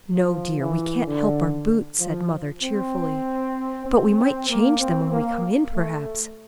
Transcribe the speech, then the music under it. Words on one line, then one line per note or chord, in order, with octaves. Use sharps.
'No, dear, we can't help our boots,' said mother, cheerfully, 'but we might change them when we come in, perhaps.
F3
E3
D3
F3
C4
C4
C4
A#3
C4
A#3
A3